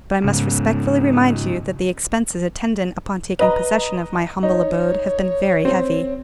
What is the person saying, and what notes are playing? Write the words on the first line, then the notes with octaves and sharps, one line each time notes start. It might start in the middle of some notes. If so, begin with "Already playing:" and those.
But I must respectfully remind you that the expenses attendant upon taking possession of my humble abode have been very heavy.
G#2 C#3
B4 D#5 A#5
D#4 C#5
C4